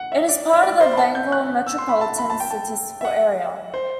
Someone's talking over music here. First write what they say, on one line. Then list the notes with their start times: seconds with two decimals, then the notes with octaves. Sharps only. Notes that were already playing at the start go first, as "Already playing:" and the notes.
It is part of the Bangor Metropolitan Statistical Area.
Already playing: F#5
0.12 E5
0.29 D5
0.53 E5
0.63 D5
0.81 C5
0.93 B5
0.97 A5
1.15 G6
1.32 F#6
1.67 E6
1.78 C6
1.89 B5
2.01 A5
2.18 B5
2.30 A5
2.40 G5
2.51 A5
3.01 E5
3.05 F#5
3.74 C5